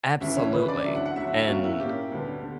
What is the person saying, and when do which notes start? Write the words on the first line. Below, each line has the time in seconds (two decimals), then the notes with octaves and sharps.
absolutely, and
0.20 D2 C#3 E3 E5
0.37 C#5
0.52 D2 C#3 E3 B4
0.68 D5
0.84 D2 D3 F#3 E5
0.95 F#5
1.06 F#5
1.16 D2 D3 F#3 E5
1.48 A#2 A#3 C#4 F#4
1.64 E4
1.80 A#2 A#3 C#4 G4
2.12 D2 D3 G3 B3
2.44 D3